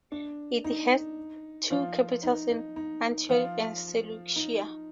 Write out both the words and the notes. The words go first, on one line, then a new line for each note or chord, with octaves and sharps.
It had two capitals in Antioch and Seleucia.
D4
D#4
F3 F4
D#4
D#4
D#4
F3 F4
D#4